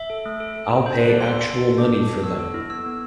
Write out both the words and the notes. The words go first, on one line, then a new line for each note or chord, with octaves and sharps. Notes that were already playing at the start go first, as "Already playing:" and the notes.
I'll pay actual money for them.
Already playing: E5
A4
A3
A4
A4
A4
D4 C5
B4
A4
D5
A4 C6
A4 C6
A4
A4
D4 D6
D4
D4
B3 E6
A4
E4
B3 E6
B3